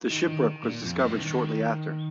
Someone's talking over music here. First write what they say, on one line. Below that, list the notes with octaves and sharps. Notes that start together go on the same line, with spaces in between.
The shipwreck was discovered shortly after.
D#3
D#3
A#2
F2
G2
D#3